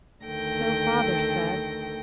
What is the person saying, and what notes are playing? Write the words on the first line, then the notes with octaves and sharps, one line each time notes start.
'So father says.
D2 D#3 A4 G5 A#6